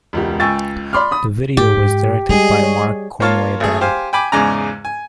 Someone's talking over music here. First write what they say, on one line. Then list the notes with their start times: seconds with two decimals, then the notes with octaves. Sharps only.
The video was directed by Mark Kornweibel.
0.13 E1 C#2 G4
0.40 C#2 G5 G#5 C#6 E6 A6
0.93 D5 B5 C6 D6 F6
1.11 B5 D#6
1.57 G#2 G4
2.29 G3 G#3 G#4 D#5
2.63 C#5
3.20 A#3 F4 C#5 F5 A5
3.60 G#1 A3 G#4
3.81 G4 C5 F5 G#5
4.13 G5 G#5 B5 D6
4.32 E2 G#2 C#3 D5 G#5 A#5
4.85 G#5